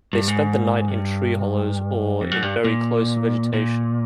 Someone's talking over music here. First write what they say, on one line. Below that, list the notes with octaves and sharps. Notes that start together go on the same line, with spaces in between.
They spend the night in tree hollows or in very close vegetation.
G2
G#2
G2
F2
F#2
G2
A#2
A#2